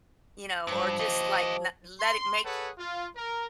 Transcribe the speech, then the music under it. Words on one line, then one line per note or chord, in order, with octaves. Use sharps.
you know, or just, like, na letti maki
G2 F3
G4 D#5
C6
G#4 A4 B4 C#5 F#5
F4
A#4